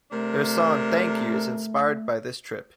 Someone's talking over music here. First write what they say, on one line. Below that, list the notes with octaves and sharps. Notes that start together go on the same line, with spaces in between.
Her song "Thank You" is inspired by this trip.
C3 A3 D4 A#4